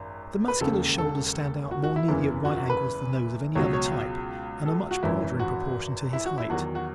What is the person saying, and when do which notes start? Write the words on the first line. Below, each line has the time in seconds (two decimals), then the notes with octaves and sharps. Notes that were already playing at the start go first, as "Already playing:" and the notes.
The Muscular's shoulders stand out more nearly at right angles than those of any other type and are much broader in proportion to his height.
Already playing: G#1 F#2
0.48 B4
0.61 E1 D#2 C#3 A4
0.98 A4
1.71 F#4
1.84 F#4
1.96 E4
2.08 F#1 E2 C#3 E3
2.45 F#4
2.57 F#4
2.70 B4
3.55 C#2 B2 F#3 C#5
3.73 C#5
4.66 A4
4.91 F#4
5.03 G#1 F#2 E3 E4
5.39 F#4
6.13 E4
6.26 F#4
6.38 E4
6.49 E2 D#3 F#3 F#4
6.75 F#4